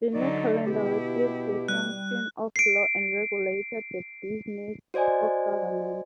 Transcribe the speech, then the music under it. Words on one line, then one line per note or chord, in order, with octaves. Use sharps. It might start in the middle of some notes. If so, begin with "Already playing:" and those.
The new calendar received the sanction of law and regulated the business of government.
D3 F#3 D#4 D5
B2 E4 G4
G3 F#6
C7 D7
F#4 C5 D5 D#5 G#5